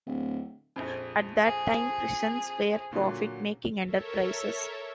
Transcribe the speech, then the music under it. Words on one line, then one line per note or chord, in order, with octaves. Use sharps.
At that time, prisons were profit-making enterprises.
D1
A#1 F2
G#4
A#2 D3 F#3
A4 A#4 C#5 E5